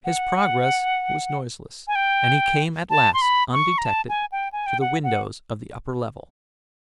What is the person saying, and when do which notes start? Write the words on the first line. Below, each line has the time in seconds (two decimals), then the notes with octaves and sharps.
His progress was noiseless and he came at last, undetected, to the windows of the upper level.
0.05 F#5
1.88 G#5
1.95 G5
2.90 A5
3.14 C6
3.22 B5
3.53 C#6
3.78 A#5
3.85 A5
4.09 G#5
4.32 G5
4.53 G#5
4.66 G5
4.81 F#5
5.04 F#5